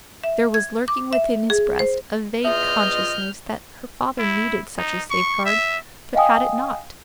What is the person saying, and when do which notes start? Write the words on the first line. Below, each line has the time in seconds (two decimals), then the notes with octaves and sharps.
There was lurking within his breast a vague consciousness that her father needed such a safeguard, but had it not.
0.24 E5
0.54 G#6
0.88 D6
1.13 E5
1.50 G#4
1.79 C5
2.45 E2 F4 D#5 E5 F6 G6
4.19 E4
4.78 D#4
5.10 C#6
5.45 E5
6.14 D#5 F5 G5 G#5 D#6